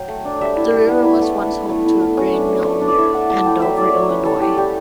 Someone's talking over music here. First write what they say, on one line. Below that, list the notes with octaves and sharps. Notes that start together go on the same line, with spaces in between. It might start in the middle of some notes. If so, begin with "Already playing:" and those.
The river was once home to a grain mill near Andover, Illinois.
Already playing: F#3 G5
A3
D4
G3 E5
E4
G3
B3
E4
A3
A3
E4
A3
E4
A3
C#4
D4
A3
A3
D4
D5
E4 E5
A3 F#5
A3 A5
E4 G5
F#3 E5
E4 D5
F#3 C#5
C#4 B4
G3 A4
E4 G4
G3 G4